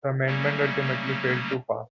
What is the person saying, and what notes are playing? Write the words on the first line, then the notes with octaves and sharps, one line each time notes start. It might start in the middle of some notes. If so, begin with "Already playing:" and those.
The amendment ultimately failed to pass.
C#3 F#3 G3 A3 A#3 C#4